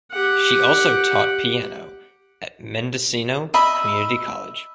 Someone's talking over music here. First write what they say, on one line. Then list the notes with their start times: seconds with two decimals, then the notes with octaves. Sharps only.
She also taught piano at Mendocino Community College.
0.12 G4 F#5
3.54 D#5 E5 B5